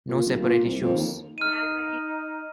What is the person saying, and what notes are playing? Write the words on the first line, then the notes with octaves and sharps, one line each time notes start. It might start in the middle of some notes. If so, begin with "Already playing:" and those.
No separate issues.
A#2
D1
A#2
C2
F2
D#2
D#4 F6 D#7